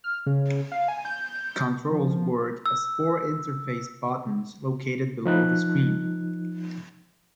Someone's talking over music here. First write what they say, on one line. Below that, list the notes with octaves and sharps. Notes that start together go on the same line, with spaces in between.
Controls work as four interface buttons located below the screen.
F6
C#3
F5
G#5
G6
F3
E6
F3 D#4 F#6